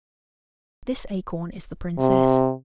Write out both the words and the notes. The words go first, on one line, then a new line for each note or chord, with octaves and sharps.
This acorn is the princess.
C3